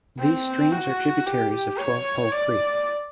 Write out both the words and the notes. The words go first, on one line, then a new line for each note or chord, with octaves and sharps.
These streams are tributaries of Twelvepole Creek.
C4
F#4
G4
C#5
D5